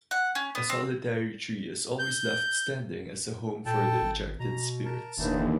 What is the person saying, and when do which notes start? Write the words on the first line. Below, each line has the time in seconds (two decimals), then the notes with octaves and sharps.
A solitary tree is always left standing as a home for the ejected spirits.
0.11 F#5
0.35 C#4
0.55 B3
0.70 C4
1.99 G6
3.66 A#2 A4 G5 A5
4.02 G#1
4.40 B2 A#5
4.85 A#4 A5
5.18 F1 D#2 D3 E3 A#3 D#4 A5